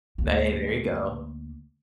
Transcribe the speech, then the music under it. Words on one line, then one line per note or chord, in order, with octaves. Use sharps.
Hey, there you go.
D2 A#3